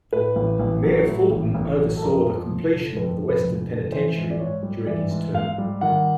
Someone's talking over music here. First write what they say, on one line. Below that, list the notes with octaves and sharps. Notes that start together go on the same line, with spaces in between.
Mayor Fulton oversaw the completion of the Western Penitentiary during his term.
A2 B4
A1
A1
F#3
A2
A1
A1
F#3
A4
F2 A#4
F3
F1
D3
F2 B4
F3
B4
F1
D3
E3 C5
G#2
D5
G#2 C#5
G3
E3 D5
G#2
G#2 F5
G3
D#3 F#5